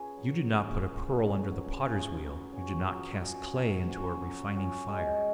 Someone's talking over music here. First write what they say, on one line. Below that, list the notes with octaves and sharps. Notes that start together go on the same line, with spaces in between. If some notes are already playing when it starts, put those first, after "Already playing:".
You do not put a pearl under the potter's wheel; you do not cast clay into a refining fire.
Already playing: C#4 G#4 B4
F#3
C#4 G#4 B4
F#3
C#4 G#4 B4
F#3
C#4 G#4 B4
F#3
C#4 F#4
F#3
C#4 F#4
F#3
C#4 F#4
F#3
C#4 F#4
G#3